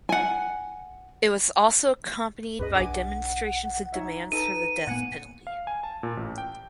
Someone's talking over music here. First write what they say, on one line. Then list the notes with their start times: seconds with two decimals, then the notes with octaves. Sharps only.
It was also accompanied by demonstrations and demands for the death penalty.
0.09 F#5 G#5
2.59 C#2 G2 C#4 G#4 B4 D#5
2.75 B1 D4 F#5 G#5 D6
3.93 D#4 C#5 E5
4.32 D#4 A4 B4 D#7
4.87 A#2 A#3 B3 F#5 G#5
5.47 F5
5.67 G#5
5.83 A5
6.03 A#2
6.17 A1
6.38 G5